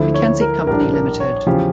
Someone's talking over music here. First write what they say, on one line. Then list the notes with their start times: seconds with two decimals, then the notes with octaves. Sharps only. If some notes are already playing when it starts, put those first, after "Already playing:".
McKenzie Company, Limited.
Already playing: D2 D3 F3 A3 E4
0.14 C#5
0.41 A#4
0.67 A#1 A2 G3 D4 A#4
0.94 A#4
1.20 C#5
1.46 E2 C#3 F3 C#4 F4 G4